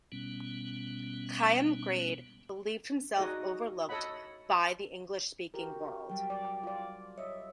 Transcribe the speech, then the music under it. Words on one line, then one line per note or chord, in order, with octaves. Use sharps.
Chaim Grade believed himself overlooked by the English-speaking world.
B2 G3 B3 C#4
D#4 F#4 G#4 D5 D#5
A4 C#5 D#5 F#5 B5
F#4 G4 A#4
F#3 G3 G5
D5
F4 D5
C#5 D#5 E5